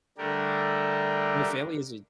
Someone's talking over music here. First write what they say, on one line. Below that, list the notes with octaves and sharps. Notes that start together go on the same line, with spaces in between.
no family is a
D3 G3 A3 D4 G4 A#4